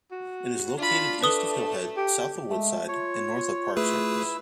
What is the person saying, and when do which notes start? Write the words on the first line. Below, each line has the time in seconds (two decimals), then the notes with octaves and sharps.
It is located east of Hillhead, south of Woodside, and north of Park Circus.
0.11 F#4
0.78 D4 F4 B5
1.23 A3 A4 B4 D#6 G7
1.97 G4
2.50 G#3 A3
2.88 F4 C#5
3.77 A3 E4 G#4 B4 E6